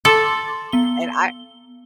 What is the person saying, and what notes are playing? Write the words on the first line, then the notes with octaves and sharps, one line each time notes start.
And I
A4 C6 D6 A6
B3 G7